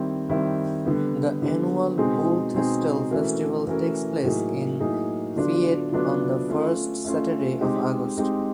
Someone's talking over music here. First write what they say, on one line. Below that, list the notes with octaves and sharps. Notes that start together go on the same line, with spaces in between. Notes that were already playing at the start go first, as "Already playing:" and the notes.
The annual Bullthistle Festival takes place in Fayette on the first Saturday of August.
Already playing: D#3 G3 C4 E4
D#3 G3 C4 E4
D3 G3 B3
D3 G3 B3
B2 G#3 C4 D#4 G#4
B2 G#3 C4 D#4 G#4
E3 A3 C#4 F#4 A#4
E3 A3 C#4 F#4 A#4
A2 F#3 A#3 D#4 G#4
A2 F#3 A#3 D#4 G#4
D3 F#3 B3 D4 F4
D3 F#3 B3 D4 F4
A3 C#4 F4
A3 C#4 F4
G#3 C4 D#4 G4
G#3 C4 D#4 G4